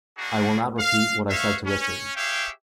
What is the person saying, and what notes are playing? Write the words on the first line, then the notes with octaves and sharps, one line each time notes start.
I will not repeat what I said to Richard.
G3 A#3 D4 D#4 F#4 G#4
F5
F#4 C#5 E5 F5
C#4
G4 G#4 C#5 E5 F5 G5